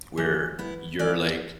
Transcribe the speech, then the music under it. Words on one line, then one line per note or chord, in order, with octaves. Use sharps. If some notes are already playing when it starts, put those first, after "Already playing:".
where you're, like,
E3
B3 E4
E3 D5